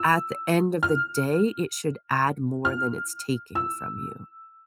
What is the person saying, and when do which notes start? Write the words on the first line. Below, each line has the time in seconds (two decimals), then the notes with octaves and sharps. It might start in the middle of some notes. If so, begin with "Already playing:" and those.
at the end of the day, it should add more than it's taking from you.
Already playing: E6
0.83 F6
2.65 F6
3.55 E6